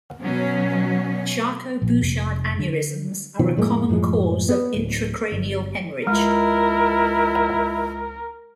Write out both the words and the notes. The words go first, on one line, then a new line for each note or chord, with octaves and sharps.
Charcot-Bouchard aneurysms are a common cause of intracranial hemorrhage.
B2 F#3 C#4
A#1
F1
D3
B2 D#3 F3
F2 A2 G#3 A#3
F#2 A2 F3 G#3
B3
D1
G1
C#2 G#3 E4 A#4